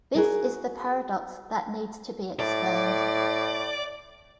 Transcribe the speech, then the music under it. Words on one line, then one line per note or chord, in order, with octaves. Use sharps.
This is the paradox that needs to be explained.
F#4 G#4 A#4
A2 D5